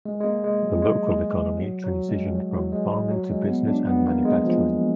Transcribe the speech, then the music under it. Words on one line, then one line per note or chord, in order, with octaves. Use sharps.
The local economy transitioned from farming to business and manufacturing.
G#3
G#3
A#3
G#3
F#3
G#3
F#3
F#3
G#3
F#3
F#3
G#3
G#3
F#3
G#3
B3
D4
B3
A#3
G#3
F3